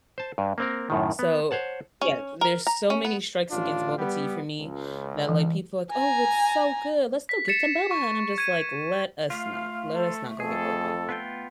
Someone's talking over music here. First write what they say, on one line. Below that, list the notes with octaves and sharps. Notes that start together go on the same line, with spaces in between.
so, yeah, there's so many strikes against boba tea for me that, like, people are like, "Oh, it's so good. Let's go get some boba," and I'm just like, "Let us not, let us not go get boba.
C5 A5
G2
A#3 C4 A#4
F#2 A2 D#3
B3
C5 C#5 F#5 A5
C#4
A#4
A#5
C#4
B3
A1 D4 F4
G3 B3
C#2
E3
G#5 A#5
B6
A6 B6 C#7 E7
C#6
G#6 D#7
A3 F4 F5
A4
F2 G#4 A4
B3 F4 G5